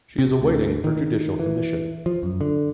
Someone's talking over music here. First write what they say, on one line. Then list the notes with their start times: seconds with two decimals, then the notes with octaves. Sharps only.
She is awaiting her judicial commission.
0.19 C3
0.42 D2
0.84 D#3
1.40 E3
2.06 F3
2.23 F#2
2.41 D3